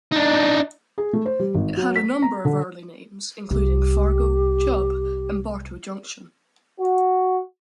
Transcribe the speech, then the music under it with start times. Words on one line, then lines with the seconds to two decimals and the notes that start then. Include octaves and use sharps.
It had a number of early names, including Fargo, Chubb and Bartow Junction.
0.12 D4 D#4
0.98 G#4
1.13 A3
1.26 C5
1.39 G3
1.54 G#1
1.77 F#3
1.96 B6
2.22 A#5
2.45 D3
3.51 C2 G4
6.79 F#4